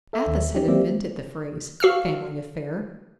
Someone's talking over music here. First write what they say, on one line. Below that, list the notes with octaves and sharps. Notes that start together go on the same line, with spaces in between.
Athos had invented the phrase, family affair.
A4 E5
D#2 E5
C#4 D#4 G4
F#3 A#3 C4 G4 D5 E5
F#4 F5 E6 F6